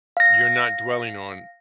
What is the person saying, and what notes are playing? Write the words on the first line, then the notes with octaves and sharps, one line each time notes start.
you're not dwelling on
F5 A#6